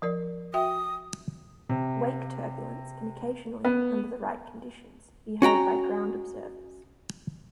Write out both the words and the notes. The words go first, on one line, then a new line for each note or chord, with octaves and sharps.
Wake turbulence can occasionally, under the right conditions, be heard by ground observers.
F3 A#4 D5
F#4 E5 G5 D#6
C3
B3
C#4 F#4 G5 A#5